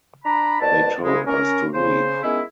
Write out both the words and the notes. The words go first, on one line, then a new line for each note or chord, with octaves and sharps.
They told us to leave.
D4 A#5 B5
C2 B2 B4 D5 A5
C2 C#3 G#3
C#4 A#4
C#3 C5
D#3 G#3 B3 C#4 E4